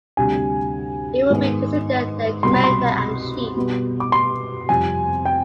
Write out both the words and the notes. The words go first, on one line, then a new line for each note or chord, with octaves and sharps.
He would be considered their commander and chief.
D2 C3 G3 G#5
G#2 D#3 B3
C2 B2 G3 C4 C6
B5
C6
B2 G3 B3
D6
C6
F2 C3 G3 C4 G#5
G5